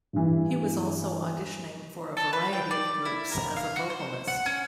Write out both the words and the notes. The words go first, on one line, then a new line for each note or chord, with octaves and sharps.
He was also auditioning for a variety of groups as a vocalist.
G2 E3
A4
B4
G5
D5
E4
A#4
F5
F#4
C5
F#5
C#4